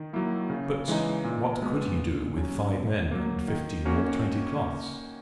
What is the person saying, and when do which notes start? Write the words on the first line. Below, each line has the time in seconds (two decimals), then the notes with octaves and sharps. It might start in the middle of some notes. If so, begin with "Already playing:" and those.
But what could he do, with five men and fifteen or twenty cloths?
Already playing: D#3
0.13 F#3 A#3 E4
0.50 C#3
0.88 E3 G#3 D#4
1.24 A#2
1.62 G#3 B3 F#4
1.99 A#2
2.37 F#3 C#4 F#4
2.74 B2
3.11 F#3 A#3
3.48 D#3
3.85 A#3 C#4 F#4